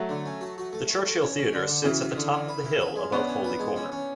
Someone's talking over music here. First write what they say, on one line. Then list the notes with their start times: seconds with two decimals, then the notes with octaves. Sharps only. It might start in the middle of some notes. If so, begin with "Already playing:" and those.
The Church Hill Theatre sits at the top of the hill above Holy Corner.
Already playing: F#3 A3
0.09 D3
0.26 C#4
0.41 F#4
0.58 F#4
0.73 A3
0.89 A3
1.05 A3
1.22 C#4
1.38 C#4
1.53 D3
1.68 D3
1.84 C#3 E3 F#4
2.01 F#4
2.16 D3
2.32 D3
2.48 B4
2.64 E4
2.81 B4
2.96 G#3
3.12 B3 C#4 D4
3.27 C#4
3.44 B4
3.59 G#3
3.76 C#4
3.92 C#4